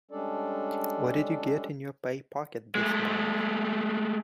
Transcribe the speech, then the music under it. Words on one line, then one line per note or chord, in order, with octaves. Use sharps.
What did you get in your pay packet this month?
G3 G#3 C#4 D4 A4 D5
G#3 A3